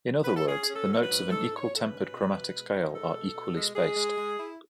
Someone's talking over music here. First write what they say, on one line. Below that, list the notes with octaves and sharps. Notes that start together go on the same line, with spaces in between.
In other words, the notes of an equal-tempered chromatic scale are equally spaced.
B4
A4
C#4 G#4
C#4
A4
F#3 A4
B4
G#2
G#2 A4
G#2
C#5
G#2
A4
B4
C#4
B2
B2
G#3
D#4
G#3 A4
B2
B2
G#3
G#3 G#4
G#3
G#3
E4